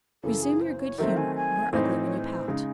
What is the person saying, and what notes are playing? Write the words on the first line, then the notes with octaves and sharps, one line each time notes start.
"Resume your good-humor,--you are ugly when you pout."
F#2 C#3 E3 A4
G#4
C5
C#5
D#3 F#3 A3 C4 E5
G#5
G#5
A2 E3 C4 D#4 C5
C#5
C5
C#5
C5
C#3 G#3 D#4